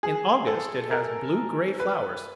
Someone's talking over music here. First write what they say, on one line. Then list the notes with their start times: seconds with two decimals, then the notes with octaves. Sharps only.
In August it has blue-grey flowers.
0.03 G#4
0.47 A4
0.91 A#4
1.80 B4